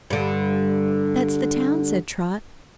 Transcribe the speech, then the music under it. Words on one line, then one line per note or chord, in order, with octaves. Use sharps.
"That's the town," said Trot.
G2 D3